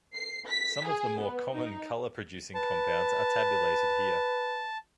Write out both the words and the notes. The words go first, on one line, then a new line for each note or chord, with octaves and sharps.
Some of the more common color-producing compounds are tabulated here.
C7
B6
G#4
B3
D#4
B4 A5